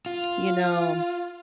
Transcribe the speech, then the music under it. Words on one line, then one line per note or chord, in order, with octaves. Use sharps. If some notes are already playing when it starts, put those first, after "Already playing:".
You know,
F4